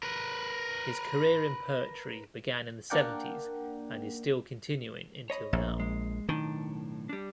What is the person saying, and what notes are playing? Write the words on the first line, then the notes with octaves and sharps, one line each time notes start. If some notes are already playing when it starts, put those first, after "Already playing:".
His career in poetry began in the seventies and is still continuing until now.
A#4 B4
A#3 D4 A#4 D5 F#5 G5
C#5 D#5 B5
A#1
G#3
B1 A2 D#3 D4
G3 D4